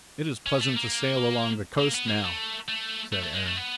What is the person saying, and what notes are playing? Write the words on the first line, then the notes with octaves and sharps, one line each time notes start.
"It is pleasant to sail along the coast now," said Eric.
C#4
A3
A#3
A#3
B3
A#3
A3
A3
A3
A3
G#3
A3
B3